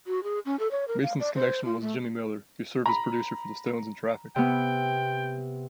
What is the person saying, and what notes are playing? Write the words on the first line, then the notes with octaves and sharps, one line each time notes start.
Mason's connection was Jimmy Miller, who served as producer for the Stones and Traffic.
F#4
G#4
C#4
A4
C#5
A#4
F5
D5
C5
F4
A3
A#5 B5
C3 B3 G5